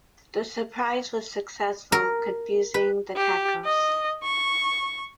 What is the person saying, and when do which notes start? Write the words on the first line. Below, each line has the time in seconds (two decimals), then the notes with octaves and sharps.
The surprise was successful, confusing the Cacos.
1.92 A#4
2.74 B4
3.16 G4
3.65 D#5
4.24 C#6